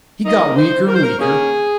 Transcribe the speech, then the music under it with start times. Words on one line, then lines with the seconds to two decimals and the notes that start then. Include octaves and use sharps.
He got weaker and weaker.
0.24 D#3 A#3 D#4 D#5
0.56 C5
0.88 A#4
0.94 C5
1.02 A#4
1.19 D#3 A#3 C#4 G#4